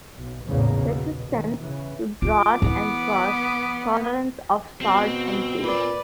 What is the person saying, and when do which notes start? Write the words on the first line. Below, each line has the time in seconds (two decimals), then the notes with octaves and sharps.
Resistance to drought and frost; tolerance of salt and base.
0.18 B1
0.48 A#1 E2 A2 C#3 A#3
0.81 B2
1.32 D#3
1.61 C#3 E3
2.22 F4 D6
2.62 E3 B3
4.81 B2 C4
5.61 A#2 B4 D5